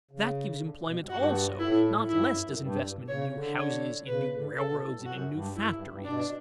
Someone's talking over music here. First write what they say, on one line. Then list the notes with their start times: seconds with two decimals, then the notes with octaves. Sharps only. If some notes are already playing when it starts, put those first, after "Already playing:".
That gives employment also; not less does investment in new houses, in new railroads, and in new factories.
0.11 C#3
0.61 D3
0.86 B2
0.98 G2
1.10 G2 F#4
1.59 A2 E4
2.09 G2 E4
2.26 F#2
2.42 F#2
2.59 G2
3.08 C#3 C#5
3.33 D3
3.58 C#5
4.07 C#3 B4
4.32 D3
4.50 D3
4.56 C#3 A4
4.69 B2
4.81 A2
4.94 G2
5.06 F#2 F#4
5.30 G2
5.55 F#2 E4
5.72 G2
5.88 G2
6.05 B2 D4